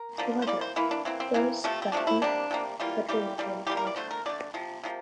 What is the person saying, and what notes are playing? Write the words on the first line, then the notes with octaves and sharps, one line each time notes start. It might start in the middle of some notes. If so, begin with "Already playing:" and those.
However, those that eat Pedrillo go mad and die.
Already playing: A#4
D3 F3 A#3
C5
E3 A#3 D5
C5
E3 A#3 E4
D4
E3 A#3 C4
C4
E3 A#3
C3 F3 A3
C4
C3 F3 A3 D4
E4
C3 G3 A#3 D4
C3 G3 A#3
E3 G3 A#3 F4
E3 G3 A#3 G4
E3 G3 A#3
E3 G3 A#3 G4
A#4
D5
D3 A3 C5
A#4
D3 A3 D5
C3 F3
C3 F3 A#3